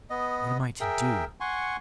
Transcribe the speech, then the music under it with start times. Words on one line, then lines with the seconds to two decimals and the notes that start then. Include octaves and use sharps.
"What am I to do?"
0.10 B3 D#5
0.80 G#4 A#4 E5 G5
1.40 F#5 G#5 C6 C#6